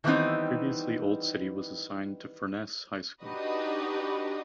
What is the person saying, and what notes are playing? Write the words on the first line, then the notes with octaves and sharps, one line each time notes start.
Previously Old City was assigned to Furness High School.
D#3 E3 G3 B3 C4 D#4
D4 D#4 F#4 G4 B4 D#5